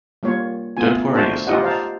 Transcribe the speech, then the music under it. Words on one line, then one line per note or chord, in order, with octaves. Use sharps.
Don’t worry yourself.
G3 A#3 F4 C#5
A3 B3 F4 G#5
A3 D4 D#4 F#4 C5 A5
D#4 F4 G4 D#5 F#5
C5 D5 F5 A5 A#5